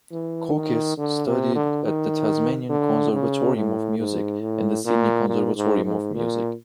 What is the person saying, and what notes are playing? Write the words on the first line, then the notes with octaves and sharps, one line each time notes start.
Koukias studied at the Tasmanian Conservatorium of Music and the Sydney Conservatorium of Music.
E3
D#3
D3
C3
D3
D#3
D3
C#3
A2
G#2
A2
A#2
A#2
G#2
G#2
A#2